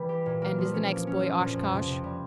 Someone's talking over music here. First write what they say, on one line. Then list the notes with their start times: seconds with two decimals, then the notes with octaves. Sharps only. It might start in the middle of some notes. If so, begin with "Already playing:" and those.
"And is the next boy Oshkosh?"
Already playing: E3 G3
0.09 G4
0.26 A#2
0.42 A#3
0.58 F3
0.74 C#4
0.90 A#3
1.07 C#4
1.23 F3
1.39 A#2
1.55 F2
1.71 C3
1.88 C3
2.04 G3